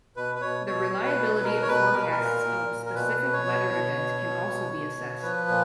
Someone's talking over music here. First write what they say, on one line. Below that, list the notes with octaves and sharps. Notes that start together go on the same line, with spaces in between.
The reliability of forecasts of a specific weather event can also be assessed.
B2 B4
B4
B2 C#5
B2 C#5
B2
B4
B2
B2 A#4
C#5
B2 B4
B2 A#4
B4
A#4
A#2
A#2
A#2
A#4
B2 B4
B2
C#5
B2
B2
B2
B2
B2
B2
B2
F3 B4
A#2